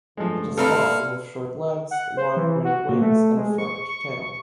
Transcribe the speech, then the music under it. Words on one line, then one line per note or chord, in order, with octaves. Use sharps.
It is long, with short legs, long pointed wings and a forked tail.
G2 D3 F3 G#3 A3
G3 C4 E4 A4 B4 F5 A#5 B5
F#5
C5
E3
F#4
A#2
A3
G#3
C#6
C#6